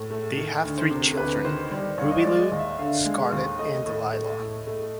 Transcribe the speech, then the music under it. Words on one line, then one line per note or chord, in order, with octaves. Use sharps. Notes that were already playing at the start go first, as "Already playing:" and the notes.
They have three children, Ruby Lou, Scarlett and Delilah.
Already playing: A2
A3
D#3
D2
C5
C3
D2 B4
D#3 C5
G3 C5
D#2 C#5
D#5
D5
G#3
D#5
D#2
E5
D3 F5
G#3
D#2
A3 D#5
A2
A3
A2
A3